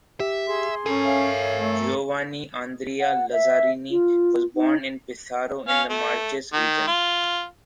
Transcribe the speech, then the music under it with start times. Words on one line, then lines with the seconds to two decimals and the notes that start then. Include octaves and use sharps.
Giovanni Andrea Lazzarini was born in Pesaro in the Marches region.
0.20 G4 E5
0.47 G#4 C6
0.86 C#4 A4 A#4 G#5
1.04 C#5 E5 F5
1.57 A3
3.00 F#5
3.32 E5
3.91 F4
4.55 D#4
5.68 C#4 F5
5.90 A3
6.53 D#3
6.87 F4